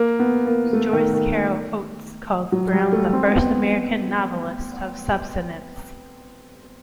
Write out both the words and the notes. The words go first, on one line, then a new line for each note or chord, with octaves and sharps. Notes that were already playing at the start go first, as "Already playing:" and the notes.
Joyce Carol Oates calls Brown "the first American novelist of substance".
Already playing: A#3
B3
A#3
A3
D#3
D#3
F#3
G3
A3
C4
C4
B3